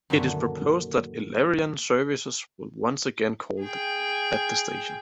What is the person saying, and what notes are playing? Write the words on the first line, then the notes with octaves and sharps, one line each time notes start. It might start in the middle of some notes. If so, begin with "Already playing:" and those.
It is proposed that Illawarra services will once again call at the station.
F#2 A#2 D3 D#3 A3
G#4 G5